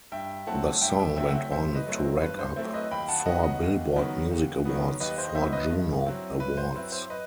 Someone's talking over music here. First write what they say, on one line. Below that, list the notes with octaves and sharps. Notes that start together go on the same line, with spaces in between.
The song went on to rack up four "Billboard" Music Awards, four Juno Awards.
G2 E5 G5
F#3 A3 C4 E4 F#5 A5
G2 E5 G5
E5 G5
F#3 A3 C4 E4 E5 G5
F#5
E5 G5
G2 C5 E5
B4 D#5
F#3 A3 C4 E4
C5
G2 B4
C5
F#3 A3 C4 E4 C5
B4 D#5
D#2 G5 B5
F#5 A5
D#3 F#3 B3 D#5 F#5
D#5 F#5
D#2
D#3 F#3 B3
D#2
D#3 F#3 B3
D#2 B4 D#5
C5
D#5
D#3 F#3 B3 C5 E5
B4 D#5
G2
F#3 C4 E4
G2 B4
C5
F#3 C4 E4 B4
C5
B4 D#5